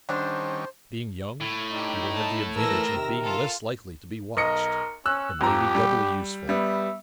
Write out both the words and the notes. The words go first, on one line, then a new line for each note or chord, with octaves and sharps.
Being young he will have the advantage of being less likely to be watched, and may be doubly useful.
D3 D#3 G3 C#4 D4 C5
A2
D4 D#4 G4
A5
E3 A4 A#4 E6 A#6
C3 D#3 C4
F4 A4
B1 A#4 D#5 C#7
C#4 E6 F#6
F2 F3 G4 A#5
G3
G3 B3 E5